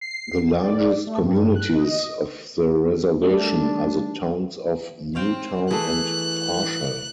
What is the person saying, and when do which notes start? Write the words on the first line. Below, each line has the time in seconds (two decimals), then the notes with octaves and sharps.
The largest communities of the reservation are the towns of New Town and Parshall.
0.01 C7
0.60 D5
1.07 A3
1.22 G2
1.55 F#6
1.75 D#5
3.22 G3 A3 D4
5.15 C4 C#5 F5 G5
5.71 E3 A3 G#4 F#6